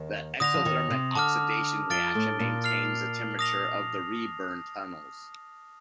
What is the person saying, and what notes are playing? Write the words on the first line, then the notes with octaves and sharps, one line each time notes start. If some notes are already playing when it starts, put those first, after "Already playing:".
The exothermic oxidation reaction maintains the temperature of the reburn tunnels.
Already playing: D#2 D#3
D3 D#6 A#6 F7
F3
D#2 D#3
C3
D3 A5 D6 F6
F2 F3 F6 A6 D7 G7
A2 A3
A#2 A#3
F6 C7 F7
D#6 A#6 F7